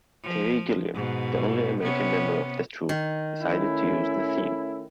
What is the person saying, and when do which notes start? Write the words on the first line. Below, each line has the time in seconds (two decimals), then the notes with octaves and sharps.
Terry Gilliam, the only American member of the troupe, decided to use the theme.
0.23 F3
0.94 G#2 B2
1.81 C3 B3 C#4
2.89 D#3
3.42 A3 C#4 E4